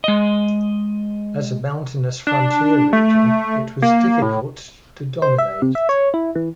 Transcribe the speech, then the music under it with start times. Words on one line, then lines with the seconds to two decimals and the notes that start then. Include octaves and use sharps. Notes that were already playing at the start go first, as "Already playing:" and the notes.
As a mountainous frontier region, it was difficult to dominate.
0.04 G#3 D#5
2.27 D4
2.93 A3
3.82 A#3
4.22 A2
5.22 C5
5.38 E5
5.62 C3
5.75 E5
5.89 C#5
6.14 E4
6.35 E3